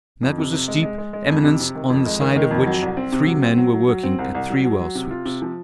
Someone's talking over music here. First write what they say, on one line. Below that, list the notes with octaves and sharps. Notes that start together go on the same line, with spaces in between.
That was a steep eminence on the side of which three men were working at three well-sweeps.
F2
C3
C3
G#3
G#3
G#3
G#3
F2
C3
C3
D#3
F2
G#3
D#3
D#3
F2
F#3
C2
C4
C3
F#3
C4
F#3
F#3
F#3
C4
C2
C2
F#3
F#3
F#3
C3
F4
C3
F3